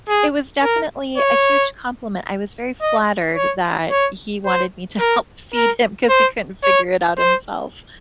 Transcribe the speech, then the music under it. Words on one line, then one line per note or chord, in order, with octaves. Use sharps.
it was definitely a huge compliment, I was very flattered that he wanted me to help feed him 'cause he couldn't figure it out himself.
G#4
A#4
C#5
D#5
C#5
C#5
C5
A#4
A#4
C5
C#5
C5